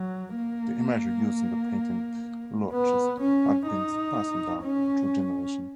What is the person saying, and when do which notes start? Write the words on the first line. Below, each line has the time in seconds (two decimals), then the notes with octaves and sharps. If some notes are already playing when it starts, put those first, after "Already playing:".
The imagery used in the painted lodges has been passed down through generations.
Already playing: F#3
0.36 A#3
2.73 B3
3.21 C#4
3.68 D#4
4.63 C#4